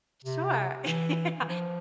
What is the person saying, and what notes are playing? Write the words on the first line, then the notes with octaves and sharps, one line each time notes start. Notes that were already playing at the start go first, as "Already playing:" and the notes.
Sure. Yeah,
C3
E3
E3
F3